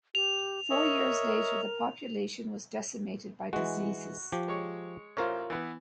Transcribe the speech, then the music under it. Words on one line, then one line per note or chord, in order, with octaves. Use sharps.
Four years later, the population was decimated by diseases.
G4 F7
A#4 C#5 D#5 E5
E3 G#3 F#4
F3 G4
G#3 C#5
A1 F4 A#4 C5 C#5
E3 B3